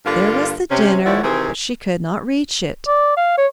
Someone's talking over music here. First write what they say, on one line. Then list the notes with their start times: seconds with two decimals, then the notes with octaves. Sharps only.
There was the dinner, but she could not reach it.
0.05 G2 D3 A#3 F4
0.69 C3 C#4
1.05 D#2 F3 E4 C#5 D5 F#5
1.22 C3 D#3 E3 C4 G#4
2.87 D5
3.17 F5
3.38 C#5